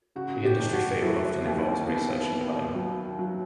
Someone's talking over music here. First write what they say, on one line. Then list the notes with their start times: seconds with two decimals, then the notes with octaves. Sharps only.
The industry field often involves research and development.
0.16 C#3 F#4
0.45 G4
0.59 F1
0.73 F#4
1.02 F#3 E4
1.45 D#2
1.88 B3
2.32 B3
2.75 F#3
3.19 F#3